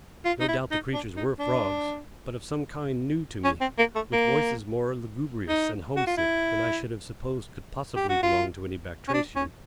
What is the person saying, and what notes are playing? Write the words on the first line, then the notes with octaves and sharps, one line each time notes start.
No doubt the creatures were frogs, but of some kind new to me, with voices more lugubrious and homesick than I should have supposed could possibly belong to any batrachian.
F4
D#4
E4
D#4
D4
D#4
D4
C#4
C4
A#3
A3
A#3
D#4
F#4
F4
E4
G4
F#4
F4
C#4
D4
C#4